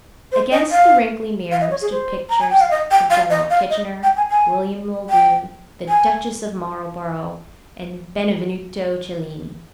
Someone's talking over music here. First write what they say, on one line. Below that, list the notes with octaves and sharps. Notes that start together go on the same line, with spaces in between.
Against the wrinkly mirror stood pictures of General Kitchener, William Muldoon, the Duchess of Marlborough, and Benvenuto Cellini.
C5
D#5
F5
F5
D#5
C#5
G#4
C5
A#5
G#5
G5
F5
D#5
G5
F5
D#5
F5
D#5
G5
G#5
G#5
G5
G#5